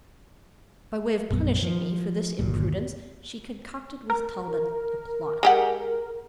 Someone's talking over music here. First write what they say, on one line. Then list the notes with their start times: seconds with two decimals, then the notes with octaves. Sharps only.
By way of punishing me for this imprudence, she concocted with Talbot a plot.
1.31 A#1 F#2 B3
1.62 F3
2.39 G1 D#2 A#2
4.10 A#4
5.43 G#3 G4 F#5